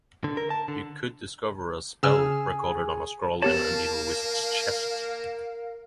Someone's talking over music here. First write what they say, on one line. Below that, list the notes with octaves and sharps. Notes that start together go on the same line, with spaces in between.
You could discover a spell recorded on a scroll in an evil wizard’s chest.
D3
A#4
A5
D3
C#3 G#4 E6 F6
A#3 B3 G4 A#4 C#5 F5 A5